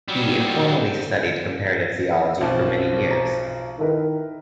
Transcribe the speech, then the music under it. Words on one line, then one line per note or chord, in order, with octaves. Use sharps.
He informally studied comparative theology for many years.
F#3 G3
B1 F3 C4
A#5
D#3 E4 A#4 B4